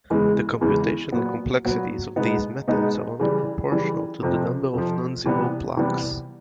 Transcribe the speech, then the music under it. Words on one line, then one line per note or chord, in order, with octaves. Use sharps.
The computational complexities of these methods are only proportional to the number of non-zero blocks.
E2 C#3 E3 G#3
E2 C#3 E3 G#3
A#2 F#3 B3
A#2 F#3 B3
B2 G#3 B3 D#4
B2 G#3 B3 D#4
C#3 E3 G3
C#3 E3 G3
F2 C3 F3
F2 C3 F3
C3 E3 G3 B3
C3 E3 G3 B3